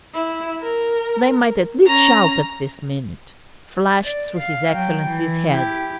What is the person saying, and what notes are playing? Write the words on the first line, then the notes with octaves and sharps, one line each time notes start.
"They might at least shout at this minute!" flashed through his Excellency's head.
E4
A#4
C#4 A#5
D5
F5
F#3 G5
E3
E4 G4